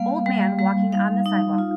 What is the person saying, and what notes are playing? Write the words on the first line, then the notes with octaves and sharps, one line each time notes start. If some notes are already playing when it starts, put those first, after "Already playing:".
Old man walking on the sidewalk.
Already playing: G3 A#3 F5
G3
G3
D#4 F5
D#4
F4